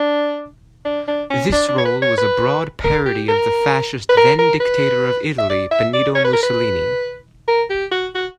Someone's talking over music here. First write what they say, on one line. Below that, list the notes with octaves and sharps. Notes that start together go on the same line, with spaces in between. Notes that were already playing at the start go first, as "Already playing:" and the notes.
This role was a broad parody of the fascist then-dictator of Italy, Benito Mussolini.
Already playing: D4
D4
D4
C#4
D4
D4
C#5
B4
C#5
B4
A#4
G4
A#4
B4
A#4
A#4
B4
E5
D5
E5
D5
C#5
B4
A#4
B4
A#4
G4
F#4
F#4